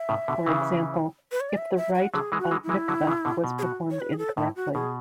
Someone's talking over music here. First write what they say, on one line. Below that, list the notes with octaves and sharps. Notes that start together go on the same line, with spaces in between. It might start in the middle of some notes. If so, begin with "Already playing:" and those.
For example, if the rite of mikveh was performed incorrectly.
Already playing: E5
A2 C#3
B2 D3
C#3 E3
B4
C#5
D5
E5
E5
F#5
D3 F#3 G#4
E3 G#3
F#4
E3 G#3
E4
E3 G#3
D3 F#3
C#3 E3
B2 D3
B2
G#4
F#4
C#5
B4
G#4
A4
A2 E4
F#4
B2 G#4